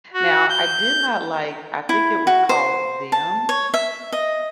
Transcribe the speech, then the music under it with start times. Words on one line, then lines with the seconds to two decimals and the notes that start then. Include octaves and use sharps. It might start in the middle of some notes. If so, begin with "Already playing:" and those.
Now, I did not like, I think it was called Them?
0.13 F#4
0.50 G6
1.89 E4
2.27 F#4
2.49 C5
3.12 A5
3.49 C#5
3.74 E5
4.12 D#5